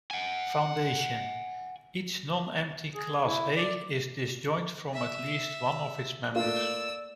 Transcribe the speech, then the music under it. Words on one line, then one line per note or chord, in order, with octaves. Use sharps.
Foundation: Each nonempty class "A" is disjoint from at least one of its members.
F#5 G#5
G#4
E4
D5
E5
A3 A#3 F4 D5 E6